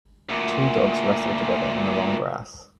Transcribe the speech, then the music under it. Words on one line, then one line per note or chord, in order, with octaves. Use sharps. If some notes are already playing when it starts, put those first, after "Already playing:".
Two dogs wrestle together in the long grass.
D2 A#2